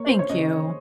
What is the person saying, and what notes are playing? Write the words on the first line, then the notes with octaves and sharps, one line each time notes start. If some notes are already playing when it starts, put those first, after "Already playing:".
Thank you.
Already playing: A#3 C#5
C5
C#5
C#3 D#5